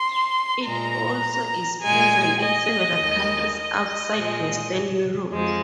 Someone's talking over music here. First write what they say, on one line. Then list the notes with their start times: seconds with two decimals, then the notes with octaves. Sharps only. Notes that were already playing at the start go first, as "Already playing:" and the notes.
It also is present in several countries outside Western Europe.
Already playing: C6
0.65 A#2 G#3 A#5
1.82 A#2 G#3 G#5
2.41 D#5
2.98 D#2 D#3 G#3
3.57 D#5
4.15 A#2 F3 G#3
5.31 F2 F3 G#3